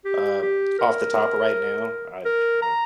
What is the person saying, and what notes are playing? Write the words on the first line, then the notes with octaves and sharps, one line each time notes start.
uh, off the top right now, I p I
G4
G4
A#4
A#4
A#5